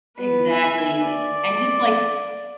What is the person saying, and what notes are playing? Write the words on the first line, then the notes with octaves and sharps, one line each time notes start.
Exactly, and just, like
B3 B4
E5 G#5
D5